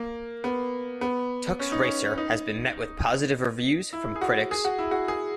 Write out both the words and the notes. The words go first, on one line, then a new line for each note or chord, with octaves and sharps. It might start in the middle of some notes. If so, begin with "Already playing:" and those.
"Tux Racer" has been met with positive reviews from critics.
Already playing: A#3
B3
B3
C#4
D#4
C#4
D#4
E4
G#4
F#4
G#4
F#4
E4
F#4
G#4